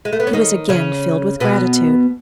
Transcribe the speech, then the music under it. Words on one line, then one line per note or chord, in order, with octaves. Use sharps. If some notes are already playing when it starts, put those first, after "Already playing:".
He was again filled with gratitude.
G#3
A3
B3
C#4
D#3 D#4
C#3 C#4
B2 B3